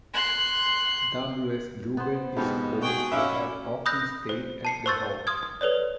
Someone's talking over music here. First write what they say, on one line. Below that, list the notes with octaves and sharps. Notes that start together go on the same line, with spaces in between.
W. S. Gilbert is supposed to have often stayed at the Hall.
C6 F#6
B3 C5
G#2 B2 G4 A4 F5 B5
F#4 G#4 G5 C#6
C#4 D#4 E4 B4 E5 F5 D6
B5 D#6 E6 F#6 G6 A#6
C5
A5 C7 C#7
C5 C6 C#6 E6 G6 A6
C6 D#6 F6 G#6
A4 B4 C#5 D5